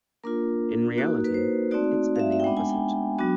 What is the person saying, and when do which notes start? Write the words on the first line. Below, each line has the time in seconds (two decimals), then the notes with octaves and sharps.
In reality, it's been the opposite.
0.24 A#3 D4 F4 A#4
0.98 A#3 D#4 F#4
1.24 B4
1.34 C5
1.71 A3 C4 D#4 F#4 D5
2.16 F5
2.19 E5
2.32 E5
2.40 G5
2.44 G#3 B3 D4 F#5
2.57 G#5
2.70 G5
3.19 F#3 B3 D4 F#4